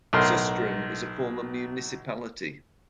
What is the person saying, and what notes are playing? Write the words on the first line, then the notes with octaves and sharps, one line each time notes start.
Susteren is a former municipality.
B1 A2 A#4 C6 F6